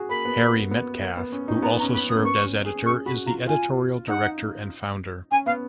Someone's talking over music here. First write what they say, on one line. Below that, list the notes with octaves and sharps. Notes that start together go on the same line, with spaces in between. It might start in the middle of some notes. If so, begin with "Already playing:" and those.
Harry Metcalfe, who also served as editor, is the editorial director and founder.
Already playing: F#4 G#4
A#3 B5
B3
B3
B3
A#3
B3
C#4
D#4
C#4
B3 A#5
A#5
C#4
B3 B5
D#6
A#3
B3 C#6
C#4
G#4
G#4 C#6
F#4 B5
F4 A#5
F4 G#5
D#4 F#5
C#4 G#5
B3 F5